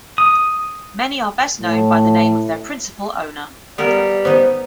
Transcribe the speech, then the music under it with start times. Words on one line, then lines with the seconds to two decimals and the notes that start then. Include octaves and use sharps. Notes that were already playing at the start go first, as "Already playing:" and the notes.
Many are best known by the name of their principal owner.
0.18 D#6
1.60 A2
3.78 G3 B3 A#4
4.25 B3 D#4 C5